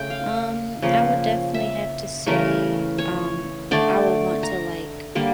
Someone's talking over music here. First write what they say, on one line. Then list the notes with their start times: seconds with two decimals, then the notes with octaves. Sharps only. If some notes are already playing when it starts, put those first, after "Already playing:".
Um, I would definitely have to say, um, I will want to, like,
Already playing: C#3 A3 G5
0.10 F5
0.82 C#3 F3 A#3
1.54 E5
2.26 C#3 E3 A3 A#4
2.98 C#5
3.71 D3 A3 D5
4.43 A#5
5.15 D3 G3 A#3